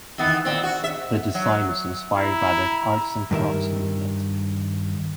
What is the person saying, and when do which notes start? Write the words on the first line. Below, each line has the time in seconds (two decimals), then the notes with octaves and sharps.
The design is inspired by the arts and crafts movement.
0.18 D#3 E3 B3
0.45 A#2 C4
0.63 F#4
0.84 E5
1.34 F#3
2.16 E4 A#5
3.31 G2 D#3 A#4 E5